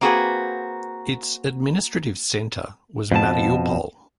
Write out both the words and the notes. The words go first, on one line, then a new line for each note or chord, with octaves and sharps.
Its administrative centre was Mariupol.
A#3 C4 F#4 G#4 B4
F2 B2 A5